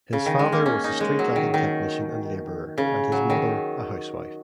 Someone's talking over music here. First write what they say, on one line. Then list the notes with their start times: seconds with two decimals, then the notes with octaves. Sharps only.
His father was a street lighting technician and laborer and his mother a housewife.
0.13 C#3
0.26 D#3
0.39 G#3
0.52 A#3
0.66 C#4
0.84 D#4
1.00 G#3
1.19 F#3
1.36 D#3
1.54 D#3
2.78 C#3
3.12 F#3
3.30 D#3